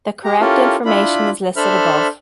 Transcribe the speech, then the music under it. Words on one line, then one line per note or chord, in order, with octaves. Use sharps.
The correct information is listed above.
G4 A#5
C#4 E4 F4 G4 A4 A#4
D4 E4 F4 B5
D4 A4 C5 E5 B5 F6